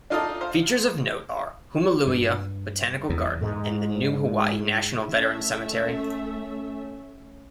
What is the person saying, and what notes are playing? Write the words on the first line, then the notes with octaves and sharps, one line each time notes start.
Features of note are Hoomaluhia Botanical Garden and the new Hawaii National Veterans Cemetery.
D4 D#4 F4 A4 D5 D#5
C5 F5
G2
E2
G#2
A3 C#4 E5